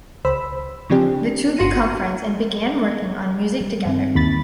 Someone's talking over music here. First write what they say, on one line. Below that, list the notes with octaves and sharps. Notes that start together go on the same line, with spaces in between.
The two become friends and began working on music together.
C#2 C5 B5 E6
C#3 F3 C4 D4 G4
G1 F#4 C6 A#6 C#7 D#7
G3
G2 D#3 C4
D#2 B5 A6